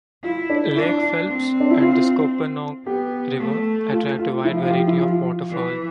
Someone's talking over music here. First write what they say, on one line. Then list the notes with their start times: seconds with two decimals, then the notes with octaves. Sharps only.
Lake Phelps and the Scuppernong River attract a wide variety of waterfowl.
0.23 E4 F4
0.50 D4
0.76 D4 E4
1.28 C4
1.60 D4
1.71 E4
1.81 F4
2.86 B3 G4
3.39 A3
3.92 F4
4.18 F4
4.45 F3 E4
4.62 F4
4.71 G4
4.87 E4
4.97 F4
5.51 E3